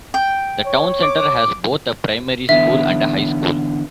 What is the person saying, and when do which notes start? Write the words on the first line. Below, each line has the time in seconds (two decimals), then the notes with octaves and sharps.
The town center has both a primary school and a high school.
0.14 G5
0.66 C#5
1.02 D6
2.49 D3 E3 B3 E5